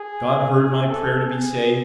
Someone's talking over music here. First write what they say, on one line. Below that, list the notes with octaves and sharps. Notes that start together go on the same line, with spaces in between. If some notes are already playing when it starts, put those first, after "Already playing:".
God heard my prayer to be saved.
Already playing: G#4
G#4
A4
G#4